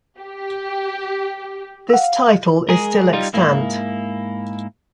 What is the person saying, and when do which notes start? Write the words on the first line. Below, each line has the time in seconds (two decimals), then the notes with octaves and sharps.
This title is still extant.
0.19 G4
1.90 F5 F#5 E6
2.69 G#3 G#4 A#4
3.13 G3 D#4 F4
3.34 G#2 A#3 E4